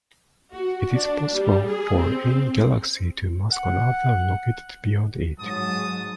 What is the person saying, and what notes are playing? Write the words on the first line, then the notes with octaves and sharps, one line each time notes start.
It is possible for any galaxy to mask another located beyond it.
F#4
D4
G3
G#4
C4
F#5
G#2 F#3 G#3 A5 D#6